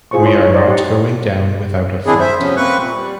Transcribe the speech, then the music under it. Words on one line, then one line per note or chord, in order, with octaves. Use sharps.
We are not going down without a fight.
D#4 F4 G#4 C5 C6 C#6
E4 F4 A4 C#5 C6
D#4 C#5
C5 D5 D#5 A#5
G4 D#5 F#5 C6
D#3 C4 D4 E4 G#4
C5 E5
C3 F3 B3 C#4
A#3 C4 B4 C#6 F#6
A#2
G3